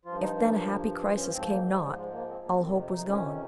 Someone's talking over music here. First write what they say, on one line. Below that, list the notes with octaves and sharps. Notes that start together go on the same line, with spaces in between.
If, then, a happy crisis came not, all hope was gone.
G2 F3 F4
D#4
A#3
C4
C#4
G#2 F3 C4
A#3
G#3
G3
G#3
A#3
C4
A#3
F2 C3 D#3 C4
D#4
C#4